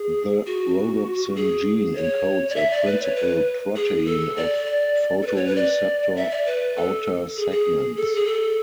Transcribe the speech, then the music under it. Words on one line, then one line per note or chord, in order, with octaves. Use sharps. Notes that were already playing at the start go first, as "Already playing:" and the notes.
The rhodopsin gene encodes a principal protein of photoreceptor outer segments.
Already playing: G#4
F#4
G#4
C#5
D5
E5
D5
B4
C#5
B4
G#4
A4
D5
D5
A4
B4
C#5
B4
D5
E5
D5
B4
A4
G#4
G#4
A4
G#4
A4